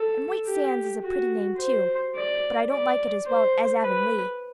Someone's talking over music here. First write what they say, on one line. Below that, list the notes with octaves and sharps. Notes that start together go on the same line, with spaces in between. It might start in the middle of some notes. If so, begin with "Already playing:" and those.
And White Sands is a pretty name, too; but I don't like it as well as Avonlea.
Already playing: A4
G4
F#4
C5
D5
D5
C5
B4